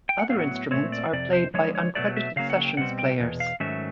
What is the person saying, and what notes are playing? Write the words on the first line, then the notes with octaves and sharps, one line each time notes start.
Other instruments are played by uncredited sessions players.
G5
F#5
A2 F#3 B3 F5
F#5
A#2 F3 A3 C4 C#5
D5
F2 C3 D5
C5
D3 F3 G#3 C#5
C#5
B2 F#3 A3 D5
E5
C#3 F#3 A#3 C#4 F5
F#5
G5
B2 G3 C4 F#5
G5
E2 B2
F5
G#2 D#3 F#3 A3 C#4 E5